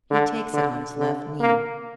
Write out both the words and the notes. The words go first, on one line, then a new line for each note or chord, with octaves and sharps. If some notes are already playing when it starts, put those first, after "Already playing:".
He takes it on his left knee.
D3
D3
D3
A#3